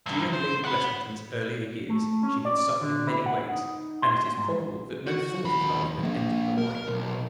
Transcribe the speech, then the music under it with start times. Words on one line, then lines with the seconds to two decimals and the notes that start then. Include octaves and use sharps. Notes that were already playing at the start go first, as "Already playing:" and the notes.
During Lady Blessington's earlier years she had suffered in many ways, and it is probable that no thought of love had entered her mind.
0.06 C2 G2
0.33 C5
0.65 F#5 B5
1.89 A3
2.23 C#4
2.45 D5
2.81 D3
3.07 E4
3.26 F#5
3.52 D#4
4.02 C6
4.37 G#2
5.07 F#4
5.45 D#2 B5
5.99 F3 A#3
6.58 A#4
6.88 B1